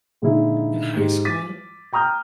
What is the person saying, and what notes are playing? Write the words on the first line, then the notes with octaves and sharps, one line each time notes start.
in high school,
A#2 D3 F3 G#3 D#4 E4
G#2 G4
D6 A6 B6 D#7
G5 A#5 D#6 F6 G6